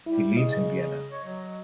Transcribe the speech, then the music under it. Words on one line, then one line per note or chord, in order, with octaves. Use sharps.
She lives in Vienna.
G3 E4
C#3 D#5
C#5
F#3